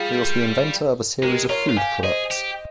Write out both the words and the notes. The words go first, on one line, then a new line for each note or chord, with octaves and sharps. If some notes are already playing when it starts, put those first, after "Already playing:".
He was the inventor of a series of food products.
Already playing: G3 F4 G#4
G#3 G4 A#4
F4 A#4 C#5
F4
G4 F5 G#5
G#4 C5 D#5
G4